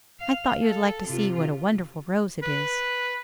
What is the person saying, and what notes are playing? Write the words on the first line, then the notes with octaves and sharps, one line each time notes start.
I thought you would like to see what a wonderful rose it is.
F5
A4
C3 F4
B4